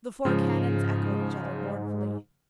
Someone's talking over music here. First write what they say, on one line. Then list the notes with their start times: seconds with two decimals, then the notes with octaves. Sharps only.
The four cannons echoed each other mournfully.
0.25 G#2 C#3 F3